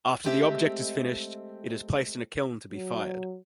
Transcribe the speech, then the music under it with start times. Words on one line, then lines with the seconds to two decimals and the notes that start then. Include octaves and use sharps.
After the object is finished, it is placed in a kiln to be fired.
0.24 G#3 A3 C4 G4 D#5 E5
2.73 F#3